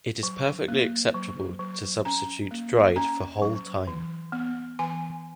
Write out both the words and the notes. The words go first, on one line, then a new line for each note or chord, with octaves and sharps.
It is perfectly acceptable to substitute dried for whole thyme.
F#3
A#3
F#3
F#3
C#4 A#5
A#3
C#4 A#5
F#3
E3
B3
E3 G#5